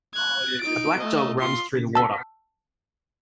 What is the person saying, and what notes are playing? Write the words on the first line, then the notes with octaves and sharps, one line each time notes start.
A black dog runs through the water.
F#6 G#6
D#4 D7
A3 D#5
F4 C6
A5 E6